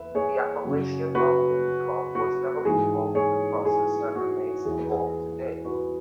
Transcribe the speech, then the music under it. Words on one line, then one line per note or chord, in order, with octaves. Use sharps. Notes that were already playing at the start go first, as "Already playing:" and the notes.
The Appalachian Mountain Club was heavily involved in the process and remains involved today.
Already playing: E2 E3 B4 E5
G#4 C#5
F#2 C#3 F#3
F#4 B4
F#4
G#2 E3 G#4
G#4 C#5
G#4
F#4
E2 E3 G#4
B4
G#4
F#4 B4